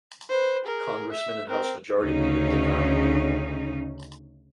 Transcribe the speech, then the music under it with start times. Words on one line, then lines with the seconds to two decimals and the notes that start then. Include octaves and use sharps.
Congressman and House Majority Leader Dick Armey.
0.29 B4 C5
0.65 G#4 A#4
1.12 E5
1.50 C4 A#4
1.99 D2 C#3 C#4 D#4